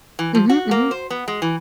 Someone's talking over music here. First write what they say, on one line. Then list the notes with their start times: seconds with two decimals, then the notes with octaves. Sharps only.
Mhm, mhm.
0.19 E3
0.35 F3
0.50 F#4
0.71 A#3
0.91 C5
1.10 B3
1.28 G#3
1.42 E3